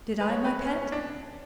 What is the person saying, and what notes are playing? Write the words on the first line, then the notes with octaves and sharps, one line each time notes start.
"Did I, my pet?"
B4
C#5
B4
C#4
C#4
D4